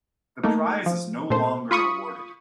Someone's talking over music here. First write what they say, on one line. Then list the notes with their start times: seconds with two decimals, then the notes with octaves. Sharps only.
The prize is no longer awarded.
0.43 A3 A#3 D#4
0.86 F3
1.30 A#2 A3 C5
1.71 F4 B5 C#6 D#6